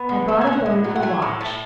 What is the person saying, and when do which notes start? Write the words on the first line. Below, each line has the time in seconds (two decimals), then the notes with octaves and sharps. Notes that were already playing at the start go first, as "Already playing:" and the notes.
"I bought a bone for Watch."
Already playing: B3
0.09 D3
0.28 D3 A4
0.41 G#5
0.47 D3
0.53 F#5
0.66 A2
0.84 F#3
0.96 F#5
1.02 A3 G#5
1.22 A2
1.41 A2 A5